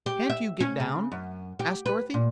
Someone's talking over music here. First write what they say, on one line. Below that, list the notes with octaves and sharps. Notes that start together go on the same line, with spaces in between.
"Can't you get down?" asked Dorothy.
G4
E5
C#4
C#3
F#2
G4
B4
A#2